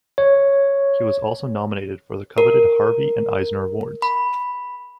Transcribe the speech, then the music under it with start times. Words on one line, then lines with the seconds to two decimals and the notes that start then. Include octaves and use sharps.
He was also nominated for the coveted Harvey and Eisner Awards.
0.18 C#5
2.38 A#4
4.02 B5